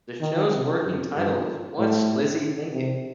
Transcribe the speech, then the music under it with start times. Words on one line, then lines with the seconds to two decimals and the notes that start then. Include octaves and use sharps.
The show's working title was What's Lizzie Thinking?
0.21 D#3
0.53 C3
0.84 F#2
1.15 G2
1.78 A2
2.72 C3